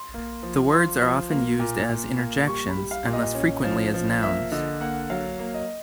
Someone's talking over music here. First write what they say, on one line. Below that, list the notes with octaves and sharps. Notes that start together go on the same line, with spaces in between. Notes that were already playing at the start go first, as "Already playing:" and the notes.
The words are often used as interjections, and less frequently as nouns.
Already playing: C6
A#3
F3
F3 C6
F3
A#3
A#2
A#2
A#3
G3 C#6
B5
G3
F5
A#2
D#5
C#4
F3
F3
A#3 E5
D3 D#5
A#3 F#5
F#3 F5
A#3
D#5